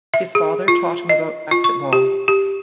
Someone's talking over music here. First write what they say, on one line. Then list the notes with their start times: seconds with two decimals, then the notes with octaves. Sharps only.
His father taught him about basketball.
0.14 E5
0.35 G#4
0.68 F4
1.10 D#5
1.51 F4
1.64 C#6
1.93 G4
2.28 G4